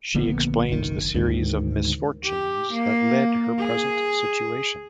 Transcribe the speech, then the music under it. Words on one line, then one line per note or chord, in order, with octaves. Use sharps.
She explains the series of misfortunes that led her present situation.
A#1 D3 A#3 B3
F#1 B1 A2 D#3
D2 G#2 D#3
G4
A#3
G#4